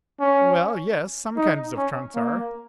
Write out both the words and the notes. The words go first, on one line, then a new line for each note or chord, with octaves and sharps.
"Well, yes--some kinds of trunks are."
C#4
D#4
C#4
A#3